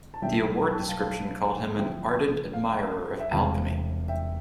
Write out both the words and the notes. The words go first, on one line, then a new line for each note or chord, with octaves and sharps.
The award description called him an ardent admirer of alchemy.
A5
B1 B2 G3 D4 E5 G5
B5
A5
G5
F5 A5
F5 A5
F2 D3 F3 C4 E4 E5 G5
F5
E5
E1 E2 C3 G3 F5
E5 G5